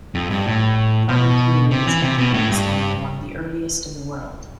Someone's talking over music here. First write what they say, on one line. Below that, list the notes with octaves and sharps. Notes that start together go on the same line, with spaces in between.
Farming communities in Afghanistan were among the earliest in the world.
F2
G2
A2
B2
C3
E3
C3
B2
A2
G2